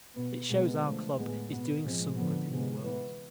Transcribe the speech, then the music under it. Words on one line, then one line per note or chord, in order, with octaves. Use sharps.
It shows our club is doing some good in the world.
B2 B3
B2 G#3 B3
D3 F3 A3
A2 G#3 B3
B2 B3
A2 F3 G#3 C4
D3 F3 B3
C3 G#3 B3
E3 B3